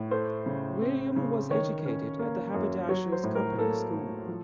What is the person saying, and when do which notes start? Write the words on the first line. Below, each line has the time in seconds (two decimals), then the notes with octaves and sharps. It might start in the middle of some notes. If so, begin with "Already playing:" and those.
William was educated at the Haberdashers' Company School.
Already playing: A2
0.11 A3 C5
0.46 C#3
0.81 C4
1.16 C#3
1.50 D#3 C#5
1.85 C#4
2.19 A#3
2.54 F#2
2.89 F#3 C#5
3.12 C5
3.24 A2
3.35 A#4
3.58 A#3 A4
3.93 A2
4.27 F3